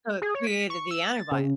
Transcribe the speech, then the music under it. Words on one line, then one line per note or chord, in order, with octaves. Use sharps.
So, it created the antibio
G#4
C#5
B6
C#6
E6
A6
C#3